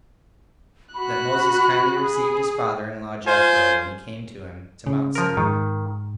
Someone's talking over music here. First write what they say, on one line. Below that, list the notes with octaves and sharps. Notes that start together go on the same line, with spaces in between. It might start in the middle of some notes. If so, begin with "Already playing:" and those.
That Moses Kindly Received-His Father-In-Law, Jethro, When He Came To Him To Mount Sinai.
F#4 B5 F#6
G#4
F4 C5 G#5
C#3
F3 A#4
G#2 D#3